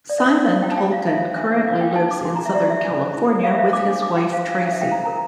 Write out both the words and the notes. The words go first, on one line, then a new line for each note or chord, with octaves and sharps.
Simon Tolkien currently lives in southern California with his wife Tracy.
D5
C5 E5
E4
C5 F5
E4 G5
A5
F4 G5
F4 F5
F4 E5
C5
D4 E5
D4 E5
A#4 F5
D4 G5
G5
D4 A5
D4 D6
D4 C6
D4 A#5
E5
G4 D5
G4 E5
D4
C5
E4
E4
G4 F5
E5
C5 F5
D4 D6
D4
F4 D6
F4 G5
C5 F5
D4
D4 F5
C5 E5
G5
F4 A#5
A#4 A#5